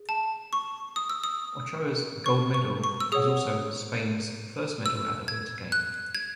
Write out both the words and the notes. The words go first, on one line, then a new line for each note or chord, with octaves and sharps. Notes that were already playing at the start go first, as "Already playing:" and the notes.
Ochoa's gold medal was also Spain's first medal at the Winter Games.
Already playing: G#4
A5
C#6
D#6
E6
D#6
C#6
C#6
C#6
E6
G#4 C#5 F#5 D#6
E6
G#6
F#6
G#6